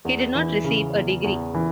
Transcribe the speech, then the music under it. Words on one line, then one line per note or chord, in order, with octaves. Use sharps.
He did not receive a degree.
E2
E3
C#3
E2
E2
E3